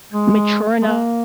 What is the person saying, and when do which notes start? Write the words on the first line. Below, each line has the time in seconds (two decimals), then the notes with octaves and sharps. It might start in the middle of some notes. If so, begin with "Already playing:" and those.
mature enough
0.12 G#3
0.81 G#3
0.87 A#3